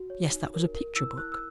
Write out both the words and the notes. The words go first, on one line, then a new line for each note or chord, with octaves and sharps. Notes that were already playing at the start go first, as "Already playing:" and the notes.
Yes, that was a picture book!
Already playing: F#4
C#5
D#4
A#4
A#4
E4 E6
E4 F#6
E6